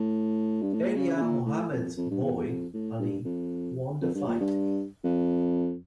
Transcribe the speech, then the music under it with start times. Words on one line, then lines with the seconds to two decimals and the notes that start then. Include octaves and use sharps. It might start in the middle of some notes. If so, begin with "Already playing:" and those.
Elijah Muhammad's boy Ali won the fight.
Already playing: A2
0.62 G2
0.73 A2
0.84 A#2
0.96 C#3
1.16 C#3
1.21 A#2
1.46 A2
1.72 F2
1.97 F2
2.10 G2
2.23 E2
2.36 E2
2.49 F2
2.74 A2
2.99 G2
3.25 F2
4.01 F2
4.14 G2
4.27 A#2
4.40 G2
5.04 F2